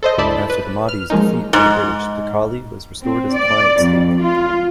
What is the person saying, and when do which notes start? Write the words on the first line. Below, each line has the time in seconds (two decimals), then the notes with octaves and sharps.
After the Mahdi's defeat by the British, Taqali was restored as a client state.
0.03 A4 C5 D#5
0.18 C#2 G2 E4 D5 A5 B5
0.50 B4
0.89 F6
1.10 F3 G#3 A#3 C#4 D#4
1.53 G#2
3.02 C4
3.36 D5
3.81 F2
4.21 F4